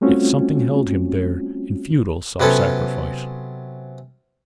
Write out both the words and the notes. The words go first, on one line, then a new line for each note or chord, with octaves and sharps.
Yet something held him there in futile self-sacrifice.
G3 A3 C4 C#4 F4 F#4
C3 F#3 B3 C#4 A4